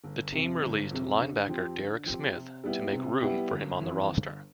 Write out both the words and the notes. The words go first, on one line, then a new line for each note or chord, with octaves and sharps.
The team released linebacker Derek Smith to make room for him on the roster.
G1
F2 C3
G1
F2 C3
D3
F3 C4 G4
D3
F3 C4 G4
C3
G3 B3 E4 G4
C3
G3 B3 E4 G4
G1
F2 E3
G1